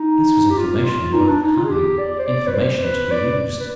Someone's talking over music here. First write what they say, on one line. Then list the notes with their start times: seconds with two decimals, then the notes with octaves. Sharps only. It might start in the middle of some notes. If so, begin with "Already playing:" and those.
This was information worth having--information to be used!
Already playing: D#4
0.51 G4
0.58 F4
0.85 F4
1.13 D#4
1.27 D4
1.42 D#4
1.57 F4
1.65 G#4
1.70 G4
1.99 D5
2.19 C5
2.27 D5
2.47 B4
2.54 C5
2.83 B4
3.11 D5
3.60 B4